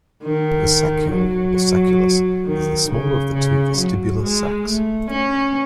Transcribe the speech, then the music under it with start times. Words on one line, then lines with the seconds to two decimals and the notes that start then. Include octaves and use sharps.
The saccule, or sacculus, is the smaller of the two vestibular sacs.
0.24 D#3
1.13 F#3
2.45 D#3
2.89 C#3
3.34 C#3
3.77 F#3
4.22 G#3
4.66 A3
5.10 C#4